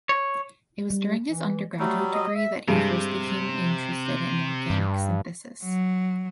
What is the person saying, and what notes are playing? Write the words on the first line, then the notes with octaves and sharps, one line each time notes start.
It was during his undergraduate degree that he first became interested in organic synthesis.
C#5
G3
E3
F#3 G3 A3
D#5
E5
G2 C3 G#3
G2
F#3